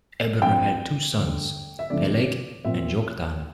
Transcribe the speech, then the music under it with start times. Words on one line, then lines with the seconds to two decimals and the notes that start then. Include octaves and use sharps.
Eber had two sons: Peleg and Joktan.
0.41 G2 F3 C4 G5
1.16 G2 D3 A3
1.79 E5
1.90 F2 D3 F3 A3 D5
2.65 A#2 F3 C4 E5